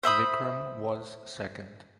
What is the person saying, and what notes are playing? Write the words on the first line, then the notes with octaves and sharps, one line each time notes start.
Vikram was second.
C5 E5 B5 D#6